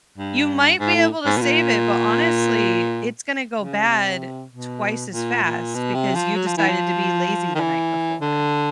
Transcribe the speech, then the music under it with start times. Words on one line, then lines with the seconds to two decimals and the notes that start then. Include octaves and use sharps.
you might be able to save it, but honestly, it's gonna go bad twice as fast because you decided to be lazy the night before.
0.18 G2
0.79 G#2
0.95 A2
1.26 G#2
1.37 B2
1.41 A#2
3.58 C#3
3.88 C3
4.50 B2
5.12 A#2
5.44 A#2
5.75 B2
5.94 C3
6.15 F3
6.36 F#3
6.47 F3
6.57 E3
6.69 F3
7.55 D#3
7.60 E3
8.21 D3